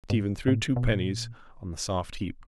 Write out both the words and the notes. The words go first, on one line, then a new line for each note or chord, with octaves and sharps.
Stephen threw two pennies on the soft heap.
G#2
A2
B2
A#2